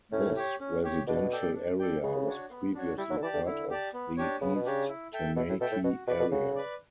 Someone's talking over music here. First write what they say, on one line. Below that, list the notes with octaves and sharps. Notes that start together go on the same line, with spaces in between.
This residential area was previously part of the East Tamaki area.
A2 C#4
G4 C#5
C#4
G4 C#5
B2 D4
A4 D5 G5
D4
A4 D5 G5
C#3 B3
D4 F#4 C#5
B3
D4 F#4 C#5
G3 E4
F#3
D3
E3 G4 D5 A5
D3
D3 E4
G4 D5 A5
B3
D4 G4 C#5
C#3 B3
B2
C#3 D4 G4 C#5
E4
A4 E5 G5
B2 E4
A2
B2 A4 E5 G5
A2
B2 F#4
B2 B4 D5
B2
C#3 F#4
B4 D5